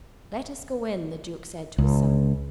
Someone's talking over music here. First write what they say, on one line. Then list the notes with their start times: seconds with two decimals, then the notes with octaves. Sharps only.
"Let us go in," the duke said to his son.
1.78 C#2